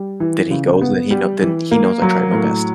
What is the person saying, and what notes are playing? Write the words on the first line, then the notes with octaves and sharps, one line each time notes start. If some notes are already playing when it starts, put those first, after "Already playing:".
then he goes, and he know then he knows I tried my best."
Already playing: G3
E3
C#3
B3
G3
E3
A#3
F#3
A2